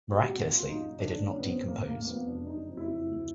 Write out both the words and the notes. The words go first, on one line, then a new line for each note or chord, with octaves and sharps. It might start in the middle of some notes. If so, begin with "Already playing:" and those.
Miraculously, they did not decompose.
A#2 F#4
G4
C2 F#4
A#2 F4
F#2 D#4
F#1
D4
C#3
F2 C#4
B3
F2 C4
F1 A#3
F1 A#3
A#3
F2 B3
F1 D4
F#1 D#4
F2
E4
F2
D2